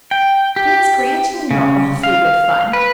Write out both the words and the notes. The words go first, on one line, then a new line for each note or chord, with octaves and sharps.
Nora's grandchildren are awfully good fun.
G5
G4
C#3
F5
B4